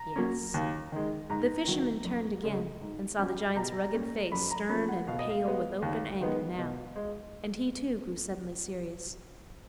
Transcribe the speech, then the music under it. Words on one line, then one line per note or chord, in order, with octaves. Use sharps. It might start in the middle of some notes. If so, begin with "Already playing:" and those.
"Yes." The fisherman turned again and saw the giant's rugged face stern and pale with open anger now, and he, too, grew suddenly serious.
Already playing: A#5
F#3 A#3 C#4
D#2
D#3 G#3
G#2 A#5
D#3 F#3
F#2
C#3 G#3 C#4
G#2
F#3 C#4
B2 A#5
A#3 C#4
F#2 B5
A#5
F3 A#3 C#4 B5
F#5
B2 F5
D#5
F5
G#3 B3
D#2
D#3 G#3 B3
B2
G#3